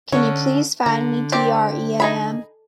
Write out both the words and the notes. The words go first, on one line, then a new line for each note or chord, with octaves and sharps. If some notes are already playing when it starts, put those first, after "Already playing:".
Can you please find me D.R.E.A.M.?
D3 C#4 D4 C#5
D3 A#5
C4 G4 D5
D#4 G#4 B5